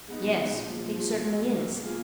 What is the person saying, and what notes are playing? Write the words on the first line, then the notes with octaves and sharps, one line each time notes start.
"Yes, he certainly is."
G#3 B3 D#4
B2
G#3 B3 D#4
A#2
F3 G#3
A#2
F3 G#3
B2
F#3 A#3
B2
F#3 A#3
B2
A#3 F4 G#4